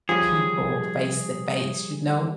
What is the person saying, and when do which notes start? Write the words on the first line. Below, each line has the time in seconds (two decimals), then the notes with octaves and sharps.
people face to face, you know?
0.09 F3 G3 C#4 G#4